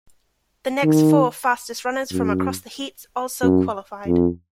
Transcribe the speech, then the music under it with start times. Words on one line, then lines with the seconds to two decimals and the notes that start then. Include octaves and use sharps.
The next four fastest runners from across the heats also qualified.
0.84 D#3
2.13 F#2
3.43 F#2
4.07 F2